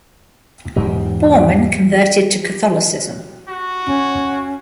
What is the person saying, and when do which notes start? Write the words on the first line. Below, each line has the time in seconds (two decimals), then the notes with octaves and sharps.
Bormann converted to Catholicism.
0.76 E2 G#2 F#3
3.48 F#4
3.86 C#4